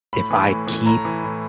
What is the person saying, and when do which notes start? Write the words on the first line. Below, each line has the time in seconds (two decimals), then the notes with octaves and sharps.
if I keep
0.13 A2 B5
0.31 E3
0.49 A2
0.67 E3
0.86 A2 A#5
1.05 E3
1.24 A2